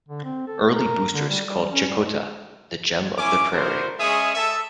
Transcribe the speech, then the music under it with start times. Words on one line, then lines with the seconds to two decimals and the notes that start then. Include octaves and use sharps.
Early boosters called Checotah, The Gem of the Prairie.
0.09 D3
0.24 C4
0.47 A4
0.73 A#4
1.13 D3
1.28 G3
1.46 G3
1.71 C#4
1.88 G3
3.17 C#4 E4 G#5 D6
3.52 D4 E4 F#4 A#4 C5
4.00 G#3 C#4 G#4 E5 C#6 D#6
4.35 A4 E5